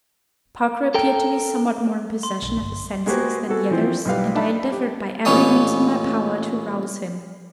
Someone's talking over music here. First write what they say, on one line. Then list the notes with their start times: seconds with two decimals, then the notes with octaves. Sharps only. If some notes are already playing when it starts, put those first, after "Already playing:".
Parker appeared to be somewhat more in possession of his senses than the others, and I endeavoured, by every means in my power, to rouse him.
0.94 A4 A#4 G5
2.23 C6
2.42 B1 G7
2.57 G1
3.06 G#3 A#3 F#4 G4 B4 C5
3.48 B3 F#4 G#4 A4
3.71 E3 F3 C4
4.05 B1 G3 B4 F5
4.35 D4 D#4 E5 A5 B5
4.72 G4
5.25 A1 A#2 B3 C#4 D#4 D#6